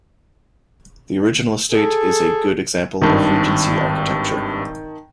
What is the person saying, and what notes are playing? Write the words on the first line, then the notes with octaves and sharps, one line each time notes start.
The original estate is a good example of Regency architecture.
G#4 A4
G#1 G2 D#3 A5